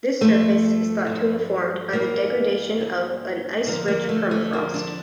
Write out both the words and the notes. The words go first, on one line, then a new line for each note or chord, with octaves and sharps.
This surface is thought to have formed by the degradation of an ice-rich permafrost.
G2 F3 A3
G2 F3
G2 E3 G3 A#3
G2 E3 G3
E2 D3 F3 A#3
A#3
A3
A3
E2 D3 F3 A#3
D4